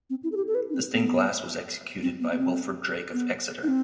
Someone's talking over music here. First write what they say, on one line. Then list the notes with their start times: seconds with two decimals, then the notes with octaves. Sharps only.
The stained glass was executed by Wilfred Drake of Exeter.
0.10 C4
0.23 E4
0.32 A4
0.37 G4
0.47 A4
0.55 B4
0.69 D#4
0.74 C4
0.92 B3
2.02 C4
2.21 B3
2.32 B3
2.39 C4
3.13 B3
3.63 D#4
3.68 C4